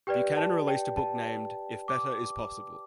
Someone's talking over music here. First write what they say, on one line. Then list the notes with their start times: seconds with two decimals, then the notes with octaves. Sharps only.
Buchanan released a book named, "If Better Is Possible".
0.07 G4 B4 D5 G5
0.37 A5
0.68 G5
0.97 A5
1.88 D6